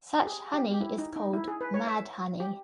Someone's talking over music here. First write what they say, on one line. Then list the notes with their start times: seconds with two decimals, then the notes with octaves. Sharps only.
Such honey is called 'mad honey'.
0.22 G4
0.27 G#4
0.54 G4
0.71 G4
0.81 E4
0.98 D#4
1.16 D#4
1.33 E4
1.48 G#4
1.61 B4
1.74 C#5
1.87 E5
2.40 G4